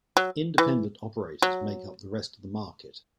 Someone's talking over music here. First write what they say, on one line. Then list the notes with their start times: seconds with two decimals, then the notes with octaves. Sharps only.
Independent operators make up the rest of the market.
0.17 F#3
0.58 E3
1.42 F#3